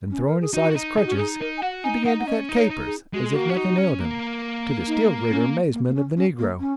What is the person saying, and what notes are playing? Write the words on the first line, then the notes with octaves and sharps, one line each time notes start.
Then throwing aside his crutches, he began to cut capers, as if nothing ailed him, to the still greater amazement of the negro.
C#4
A#4
G#4
D#4 F#4
F#4
D#4
D#4 G#4
F#4
C#4
G#4
D#4
D#4 A#4
G#5
F#4 F#5
D#4 G#5
D#4 F#5
F#5
C#4 D#5
D#4
C#5
D#4
G#4
G#3 F#4
G#4
A#3 F#4
C#4
D#4
C#4
A#3
D#4
C#4
A#3
A#3
C#4
C#4
A#3
C#4